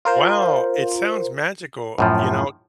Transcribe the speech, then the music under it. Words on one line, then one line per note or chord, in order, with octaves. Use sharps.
Wow, it sounds magical, you know,
F4 A#4 C5
F#2 A2 F3